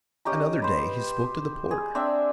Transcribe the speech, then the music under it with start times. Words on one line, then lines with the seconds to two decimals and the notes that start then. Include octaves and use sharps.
Another day he spoke to the porter.
0.25 C#4 G4 D#5 A#5
0.62 B4 C5
1.71 G#4
1.95 C4 D4 E5